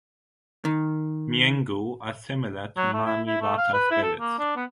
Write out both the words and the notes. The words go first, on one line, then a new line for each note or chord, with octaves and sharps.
Miengu are similar to Mami Wata spirits.
D#3
F#3
A3
E4
E4
A3
F5
B4
E4
A4
A#3
D4
B3